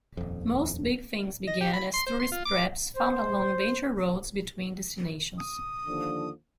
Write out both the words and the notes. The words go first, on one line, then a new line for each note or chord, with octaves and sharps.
Most big things began as tourist traps found along major roads between destinations.
D#1 F2
D#5
G4
B5
C6
C5
C6
F4
D6
C5
D#6
D#2 D3 F3